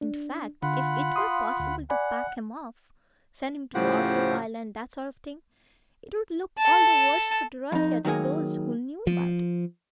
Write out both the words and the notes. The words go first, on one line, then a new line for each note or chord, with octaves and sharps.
In fact, if it were possible to pack him off--send him to Norfolk Island--that sort of thing--it would look all the worse for Dorothea to those who knew about it.
D4
D3 F4 F#5 B5
F5 C6 D#6
D2
D5 F#5 G#5 B5
A2 C#3 F3 G4 C5 F#5
A4 A5
F2 D#4
D#3 F#3 A#3 G#4
F3